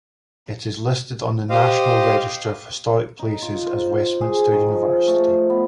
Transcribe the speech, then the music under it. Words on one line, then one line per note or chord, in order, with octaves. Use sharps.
It is listed on the National Register of Historic Places as Westminster University.
G4 C5 D#5 F5
D#4
F4
C5
G#4
D#3
F3
A3
B3